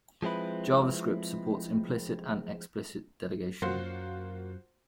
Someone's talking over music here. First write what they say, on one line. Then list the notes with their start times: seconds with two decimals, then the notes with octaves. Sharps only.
JavaScript supports implicit and explicit delegation.
0.22 F3 G#3 C4 E4 B4
3.62 F#2 F#3 A#3 F4 F#4 C5 F#5 C6